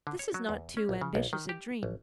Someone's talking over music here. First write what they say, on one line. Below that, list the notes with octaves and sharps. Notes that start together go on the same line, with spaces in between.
This is not too ambitious a dream.
D3
C#5
F#3
E2
C#4
A#1
C#3
B1
D#3
G4
A1